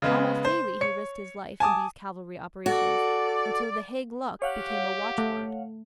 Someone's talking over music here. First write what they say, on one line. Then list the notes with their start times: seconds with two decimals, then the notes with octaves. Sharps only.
Almost daily he risked his life in these cavalry operations--until the "Haig luck" became a watchword.
0.02 C#3 G#3 B3
0.45 C5
0.81 C#5 C#7
1.60 G#5 A5 D6 D#6
2.66 F#4 A4 D5
4.42 G4 C#5 F5 F#5
5.18 A3